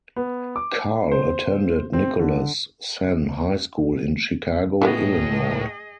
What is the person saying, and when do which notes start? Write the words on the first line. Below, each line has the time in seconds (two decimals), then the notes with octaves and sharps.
Carl attended Nicholas Senn High School in Chicago, Illinois.
0.16 B3
0.56 D6
1.12 C5
1.93 C4
2.19 D3
4.82 A2 E3 F3 B3 G#4 D#5